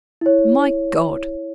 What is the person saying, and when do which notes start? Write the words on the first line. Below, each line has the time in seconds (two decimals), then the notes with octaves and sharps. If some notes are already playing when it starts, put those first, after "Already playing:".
My God!
0.21 E4 C#5